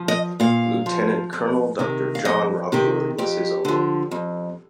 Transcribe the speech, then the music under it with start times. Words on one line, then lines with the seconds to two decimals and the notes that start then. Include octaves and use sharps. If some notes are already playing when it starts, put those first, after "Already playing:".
Lieutenant Colonel Dr John Rockwood was his uncle.
Already playing: F3
0.08 D#5
0.40 A#2 F5
0.86 F3
1.33 F2
1.79 C3 D#3
2.15 F5
2.25 F2 D#5
2.72 C3 D#3 G4
3.18 F2 G4
3.65 D3 F3
4.11 F2